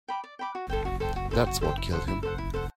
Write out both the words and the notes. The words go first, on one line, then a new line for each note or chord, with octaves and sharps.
That's what killed him.
G5 B5 D6
D5
G5 B5 D6
F#4
A4 C5 G5
F#4
A4 C5 G5
F#4
A4 C5 G5
F#4
A4 C5 G5
E4
A4 C5 F#5
E4
A4 C5 F#5
E4
A4 C5 F#5